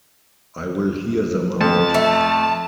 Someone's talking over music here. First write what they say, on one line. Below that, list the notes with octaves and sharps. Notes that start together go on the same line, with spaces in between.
I will hear them out.
F2 A5
A3